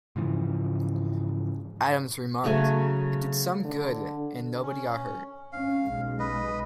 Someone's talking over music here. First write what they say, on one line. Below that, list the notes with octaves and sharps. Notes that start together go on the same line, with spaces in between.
Adams remarked, It did some good and nobody got hurt.
G#2 C#3 E3 F3
C#3 F#3 A3 G#5
D3
C#4
C#4 F5
B1 G#3
B4 D#5